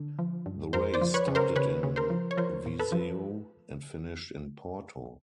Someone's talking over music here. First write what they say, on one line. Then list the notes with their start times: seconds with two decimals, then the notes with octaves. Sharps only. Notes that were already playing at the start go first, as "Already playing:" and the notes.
The race started in Viseu and finished in Porto.
Already playing: D3
0.19 F3
0.46 G2
0.73 F2 A#4 C5
0.94 C5 D5
1.02 F3
1.14 B4 C#5
1.28 C#3
1.35 A#4 C5
1.56 C#3 B4 C#5
1.83 C#3
1.96 A#4 C5
2.10 F3
2.31 C#5
2.37 F3 A#4 C5
2.66 A#2
2.79 A4 B4
2.92 F3